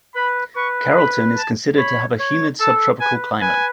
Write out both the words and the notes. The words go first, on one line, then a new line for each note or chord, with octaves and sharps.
Carrollton is considered to have a humid subtropical climate.
B4 B5
B4 C#6
B5
A5
C#5 B5
C#5
A4 A5
B4 G#5
B4 G#5